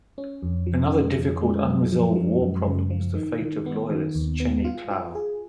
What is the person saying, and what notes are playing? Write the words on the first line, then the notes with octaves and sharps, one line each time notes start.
Another difficult unresolved war problem was the fate of loyalist Cheney Clow.
C#4
F2
F3
C#4
F2
G#3
F#2
F3
F3
F#2
C#3
F3
D#3
D#3
B3
D#3
D#2
B3
F4
F4
G#4